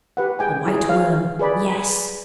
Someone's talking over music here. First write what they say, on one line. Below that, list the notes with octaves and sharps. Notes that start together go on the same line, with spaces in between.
"The White Worm--yes!"
G4 B4 F#5
G#4 G5 G#5
E4 G#4
G#4 C#5 F5
G#4 B4 D5 B5
G#4 B5